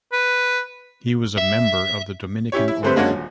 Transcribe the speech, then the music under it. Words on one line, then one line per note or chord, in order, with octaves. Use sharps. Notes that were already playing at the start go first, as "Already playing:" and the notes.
He was a member of the Dominican Order.
B4
E5
C#4 E4 G4 C#5
E4
D3 A3 C4 G4 B4 C5
G#3 A#3 C#4 D4 F#4
D#1